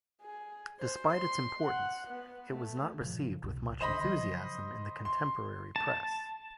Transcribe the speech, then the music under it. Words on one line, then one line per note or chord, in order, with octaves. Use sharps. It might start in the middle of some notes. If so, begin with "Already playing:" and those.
Despite its importance, it was not received with much enthusiasm in the contemporary press.
G#4
C5
C6
F#5
B3
A3
A#2 C#3 F3
C2 B2
A#1 D3 C5 D#5 B5
C#3 F3 F#3
C6
A5